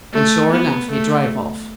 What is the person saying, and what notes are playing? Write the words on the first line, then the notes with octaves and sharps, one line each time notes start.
And sure enough, he drove off.
A3
B3
A3